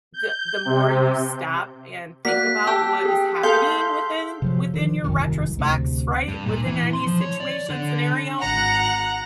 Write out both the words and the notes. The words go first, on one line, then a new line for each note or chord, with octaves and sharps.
the the more you stop and think about what is happening within within your retrospect's, right, within any situation scenario,
G6
C3
A#3 F#4 D5 F#6 B6
G4 A5 E6
G#4 G5
G#4 A4 F5 C6 G6 C7
C3 F3 F#3
D#3 F3
E1 C2 F#2 D#3
D2 C3
G2
A#2
E3
C6
F3
C#5
D5
D3
G#1 F#5 A#5 F#6